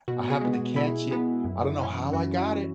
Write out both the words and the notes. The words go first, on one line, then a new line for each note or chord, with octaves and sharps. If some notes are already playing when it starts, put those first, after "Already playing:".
I happened to catch it, I don't know how I got it
B2 F#4
G#4
G#3 B3
F#4
B2 E4
G#3 B3
F#2
E3 C#4
F#2 F#4
E4
E3 C#4